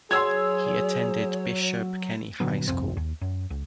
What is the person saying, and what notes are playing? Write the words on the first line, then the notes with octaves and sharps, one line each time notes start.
He attended Bishop Kenny High School.
F#3 G#4 C#5 C6 E6 G#6
A#2 D3 F#3 B3
G1 C2 F2 C4
D#2
F#2
C#2